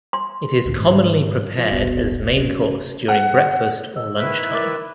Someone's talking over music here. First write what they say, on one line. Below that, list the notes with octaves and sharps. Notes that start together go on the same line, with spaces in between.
It is commonly prepared as main course during breakfast or lunchtime.
C6
C#2 A2 D3
G#2 D3
F3
D1 G1 B2
F#2
F#5
D#5 E6
D#3 E4 B4 E5
A#4 D6 A6